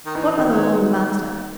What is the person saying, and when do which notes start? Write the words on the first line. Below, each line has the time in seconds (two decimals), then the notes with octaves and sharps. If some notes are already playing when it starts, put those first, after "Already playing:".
What other lord and master?
0.06 D#3
0.15 E3 D#4
0.37 D#3
0.48 F#3
0.59 B3